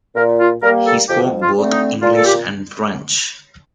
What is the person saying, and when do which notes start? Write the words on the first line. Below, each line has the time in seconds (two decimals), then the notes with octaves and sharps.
He spoke both English and French.
0.15 A#2 A#4
0.40 F4
0.63 G3 A#3 A#4
0.86 A4
1.09 F2 G4
1.40 F4
1.56 D3 A3 C4
1.71 D#4
2.02 A#2 F4
2.16 A4
2.25 G4